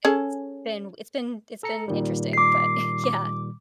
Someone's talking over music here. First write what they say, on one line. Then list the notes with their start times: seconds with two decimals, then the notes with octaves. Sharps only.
It's been it's been it's been interesting but yeah.
0.05 C#4 G#4 A4
1.63 A4 A#5 C#7
1.88 A#2 D#3 G3
2.33 D6 C7
3.04 D6